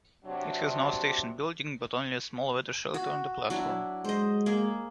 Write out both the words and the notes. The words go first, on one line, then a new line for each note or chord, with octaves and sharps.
It has no station building, but only a small weather shelter on the platform.
C3 F#3 D4
F#4
F#3 D4 E4
G#3 C5 D#5
A#3 G#4